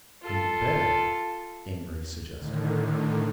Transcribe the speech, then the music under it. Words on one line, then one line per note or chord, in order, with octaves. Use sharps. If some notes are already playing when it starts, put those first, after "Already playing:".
"And the bed," Amory suggested.
F4 A4
A2 D3 D#3